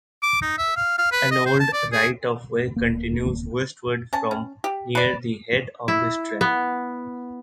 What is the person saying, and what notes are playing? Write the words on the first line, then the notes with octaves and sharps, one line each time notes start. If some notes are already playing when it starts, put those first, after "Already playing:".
An old right of way continues westwards from near the head of this track.
D6
D#4
E5
F5
F5
B4
D#5
C5
A5
D5
G#4
D1 A#3
C#4 A5
C#4
G4
B4 D5
E4
B3